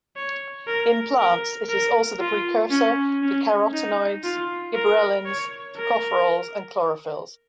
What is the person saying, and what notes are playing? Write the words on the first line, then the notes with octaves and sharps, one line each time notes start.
In plants it is also the precursor to carotenoids, gibberellins, tocopherols, and chlorophylls.
C#5
A#4
A#4
A#4
F4
C#4
C#4
D#4
F4
A#4
C#5
A#4